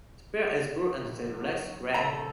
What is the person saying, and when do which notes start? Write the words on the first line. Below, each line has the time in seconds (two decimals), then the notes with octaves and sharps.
The bill is blue and the legs grey.
0.98 A#1 D#2
1.34 F#3
1.94 A#1 C#3 A4 A#5